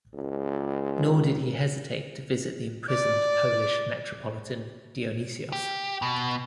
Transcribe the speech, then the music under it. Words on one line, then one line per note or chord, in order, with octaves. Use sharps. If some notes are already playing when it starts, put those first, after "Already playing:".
Nor did he hesitate to visit the imprisoned Polish Metropolitan Dionysios.
C#2
D5
G4
B2